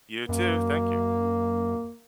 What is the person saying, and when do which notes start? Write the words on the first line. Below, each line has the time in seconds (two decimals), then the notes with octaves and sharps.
You, too. Thank you.
0.29 F#2 A#3